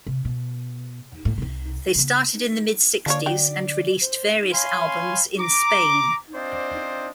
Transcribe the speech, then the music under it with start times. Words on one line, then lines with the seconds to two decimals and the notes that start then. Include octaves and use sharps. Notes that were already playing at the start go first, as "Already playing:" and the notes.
They started in the mid sixties and released various albums in Spain.
0.07 C3
0.25 B2
1.25 A2
1.38 C2 C3
1.95 C#3 B3
3.06 D3 F3 A#3 C#5 D5
3.26 F#3 G5
4.01 C5
4.53 C#5 F5 G#5 B5 C6
5.39 A#5 D6
6.34 C4 D4 F4 C5 D5 D#5